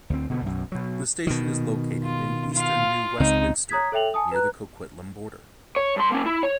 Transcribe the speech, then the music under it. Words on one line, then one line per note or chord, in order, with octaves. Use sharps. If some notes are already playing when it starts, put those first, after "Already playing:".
The station is located in eastern New Westminster, near the Coquitlam border.
D2 C4
B2 D3 B3
B1 F#2
B2 F#3
B2 D#3
F4
F4 F5
C#2 C#3 C4 D#4
C#5 A#5 D#6 G#6 B6
A4 C#5 E5 G5 F7 F#7
G#5 A5 D#6
B4 A#5 F#6
C#5
G2 C6
A#3 C#4
E4
C#5